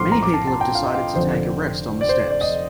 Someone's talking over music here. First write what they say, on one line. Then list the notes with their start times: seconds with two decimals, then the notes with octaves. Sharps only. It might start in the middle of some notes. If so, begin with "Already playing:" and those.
Many people have decided to take a rest on the steps.
Already playing: A#1 A2 F3 C4 C6 D6 F6
0.12 A#5
0.23 D6
0.34 A5
0.47 A5
0.61 G5
0.75 F5
0.85 D#5
0.95 F5
1.15 F1 F2 D3 C5
2.01 D5
2.09 C5
2.20 C5
2.31 D5
2.41 D#5